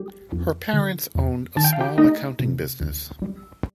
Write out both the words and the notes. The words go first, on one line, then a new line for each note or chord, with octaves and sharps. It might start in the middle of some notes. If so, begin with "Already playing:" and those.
Her parents owned a small accounting business.
Already playing: G3 G4
F2
D3
F2
D#3 A5
G5
F5
G4 G5
A3 D#4 D#5
C3
D2
G3